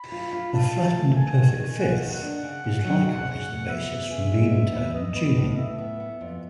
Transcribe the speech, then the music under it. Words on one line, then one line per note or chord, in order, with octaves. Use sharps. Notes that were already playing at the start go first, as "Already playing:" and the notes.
A flattened perfect fifth is likewise the basis for meantone tuning.
Already playing: B5
F4
F4
F4 A5
F4
A3
A#3 G#5
D#3
D#3
A#3 F#5
D#3
F#5
D4
C#3
C#3
F#3
C#3
C#3
A3
B3 E5
B3
C#3
G#3
B3
B3
B3 D#5
B3
A2
A2 E5
B3
B3
F2